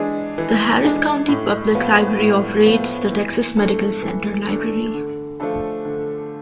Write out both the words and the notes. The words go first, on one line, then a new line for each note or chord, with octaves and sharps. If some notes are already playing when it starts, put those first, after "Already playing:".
The Harris County Public Library operates the Texas Medical Center Library.
Already playing: E3 G#3 D4 G#4
E3
G#3 D4 G#4
A2
F3 B3
A2
F3 B3
E3
A3 D4 A4
E3
A3 D4 A4
D3
F3 A3 D4 A4
D3